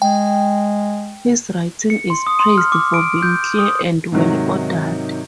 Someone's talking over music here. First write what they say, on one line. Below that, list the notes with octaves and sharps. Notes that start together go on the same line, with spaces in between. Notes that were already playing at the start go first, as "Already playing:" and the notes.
His writing is praised for being clear and well ordered.
G#3 G5
C#7
C6
D#6
C6
F6
D6
D7
G6
D#6
G#2 C3 D#3 F#3